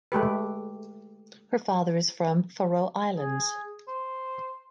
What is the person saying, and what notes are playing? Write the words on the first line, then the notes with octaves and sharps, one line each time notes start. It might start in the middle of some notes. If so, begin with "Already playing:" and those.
Her father is from Faroe Islands.
G#3 A3 G4 B4
G#4
C5